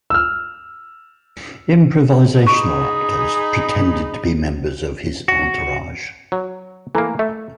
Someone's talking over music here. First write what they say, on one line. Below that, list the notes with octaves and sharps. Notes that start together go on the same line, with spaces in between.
Improvisational actors pretended to be members of his entourage.
E6 F6
D#4 G#4 B5 C#6
F#4
F#3
E3 A3 A#3 A#5
A3 E5